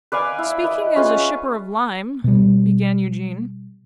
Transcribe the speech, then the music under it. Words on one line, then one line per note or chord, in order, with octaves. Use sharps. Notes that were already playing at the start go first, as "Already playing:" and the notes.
'Speaking as a shipper of lime--' began Eugene.
B4 D5 F5 G#5
E4
B4 D#5
C#4 F4 G#4 B4
B2 G3